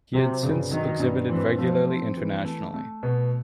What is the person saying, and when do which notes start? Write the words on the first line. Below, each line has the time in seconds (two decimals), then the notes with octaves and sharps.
He has since exhibited regularly internationally.
0.13 C3 F#3
0.42 G2 C#3
0.71 D#3 F#3
1.00 G2
1.29 E3 C4
1.58 F3 A3
1.88 C4
2.17 E3
2.45 A3
2.74 A3
3.03 B2